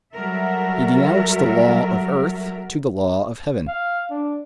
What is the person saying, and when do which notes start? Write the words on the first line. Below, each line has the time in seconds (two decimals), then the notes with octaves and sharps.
He denounced the law of earth to the law of Heaven.
0.15 F#3 G3 F#4 A4 A#4 E5
3.68 F5
4.10 D4